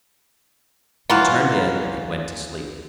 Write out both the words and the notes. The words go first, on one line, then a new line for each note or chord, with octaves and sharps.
We turned in and went to sleep.
E3 F#3 E4 F4 B5 C#6